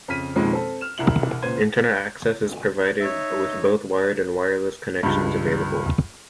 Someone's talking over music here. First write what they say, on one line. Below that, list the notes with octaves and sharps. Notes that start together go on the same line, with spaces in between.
Internet access is provided, with both wired and wireless connections available.
F2 C#3 F6 B6 D#7
B1 F2 D#3 F3 G#3 A#3
C4 A4
F6 E7
E1 C2 E4 E5 F#7
C#2 A#2 B4 C5 G#6 D#7
D#4 C#5 E5
C#2 G2